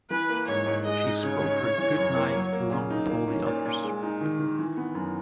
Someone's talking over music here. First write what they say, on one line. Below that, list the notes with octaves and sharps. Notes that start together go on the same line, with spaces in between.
She spoke her good-night along with all the others.
E3 B4
A#3
G#2 C#5
G#2
G#3 D#5
D#4
C#3 C#5
C#3
C#3
E3
F#2
A#3
F#3
A#3
C#3
D#4
A#3
C#4
A#2
A#2
G#3
D#4
D#3
D#3
E3
B3
F#2